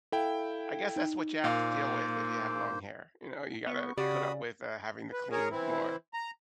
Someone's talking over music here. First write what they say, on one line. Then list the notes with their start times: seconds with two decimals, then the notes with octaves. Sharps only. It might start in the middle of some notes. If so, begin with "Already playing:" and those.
I guess that's what you have to deal with if you have long hair, you know, you gotta put up with, uh, having to clean more.
0.12 E4 A4 F5 G5
0.96 D#4
1.44 A#2 A#3 C5 F5
3.66 B3 C#6
3.97 C#3 F#4 G4 D5 B5 D#6
5.12 B4
5.32 G#4 A#4 C#5
5.51 E3 C4 E4
6.14 A#5